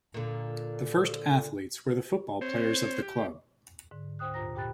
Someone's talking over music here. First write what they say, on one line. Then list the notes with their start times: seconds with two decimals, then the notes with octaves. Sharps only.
The first athletes were the football players of the club.
0.14 A#2 D3
2.41 C4 C5 C#5
3.02 G4
3.91 G#2 D3
4.19 D2 G#2 C5 G5 D#6 F#6
4.34 G2 A#2 F4 C5 A#5 A#6
4.55 A#2 G4 G5 B5 F#6 A6